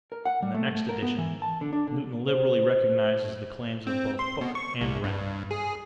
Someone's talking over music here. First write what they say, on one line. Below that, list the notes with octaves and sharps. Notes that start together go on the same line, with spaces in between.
In the next edition Newton liberally recognizes the claims of both Hooke and Wren.
A#4
F#5
G3
A3
A3
A#4
B3
E3
A5
D3
D4
D3
C5
C4
C6
B2
C#6
C2
G2
G#4